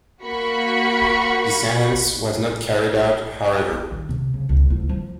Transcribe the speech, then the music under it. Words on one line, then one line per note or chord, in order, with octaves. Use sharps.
The sentence was not carried out, however.
A#3 F#4 B5 C#6
D#3
C3
C#3
C#2 C#3
D2 E4
F3